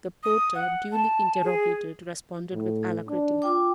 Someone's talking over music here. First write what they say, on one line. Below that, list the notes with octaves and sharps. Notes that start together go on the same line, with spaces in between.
The porter, duly interrogated, responded with alacrity.
D#6
F#5
A5
G#4
A2
D4
F4 G5 D6